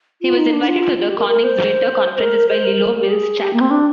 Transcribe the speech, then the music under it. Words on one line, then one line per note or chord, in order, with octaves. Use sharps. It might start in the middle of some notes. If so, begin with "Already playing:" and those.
He was invited to the Konigswinter conferences by Lilo Milchsack.
F4
D#4
D4
F4
F4
G4
A#4
A#4
C5
A#4
C5
A#4
G4
G#4
G4
A#3
C4
D4